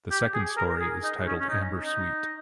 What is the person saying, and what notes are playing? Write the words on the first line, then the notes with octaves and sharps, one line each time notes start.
The second story is titled Amber Sweet.
G4
G#4
A#4
G#4
D#4
C#4
C#4
D#4
D#4